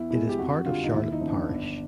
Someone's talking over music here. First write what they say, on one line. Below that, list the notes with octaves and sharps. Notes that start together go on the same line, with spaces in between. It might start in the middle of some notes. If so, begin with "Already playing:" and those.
It is part of Charlotte Parish.
Already playing: E2 E4
B2 G#3 E4
G4
F2 F#4
D3 G3 F4
D#4
D#2 E4
D#4
C#3 F3
D4
G1